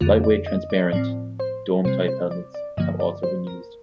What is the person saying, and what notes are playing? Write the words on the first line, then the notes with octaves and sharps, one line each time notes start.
Light-weight transparent dome type helmets have also been used.
F2 D3 A3 F4
D5
D#5
D5
A2 F3 C4 D5
C5
C3 G3 C4 C5
C5
D5
D5
G2 D3 F3 A#3 D#5
D5
C5
A#4